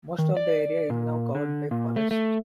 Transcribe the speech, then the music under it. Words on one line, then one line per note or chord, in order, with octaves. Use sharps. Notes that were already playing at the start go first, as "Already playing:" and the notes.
Most of the area is now covered by forest.
D#3
D5
A#2
D3
A#2
A3
A3